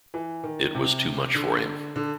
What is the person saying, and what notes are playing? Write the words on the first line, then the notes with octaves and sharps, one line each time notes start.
It was too much for him.
E3
D#3
C3
D3
D3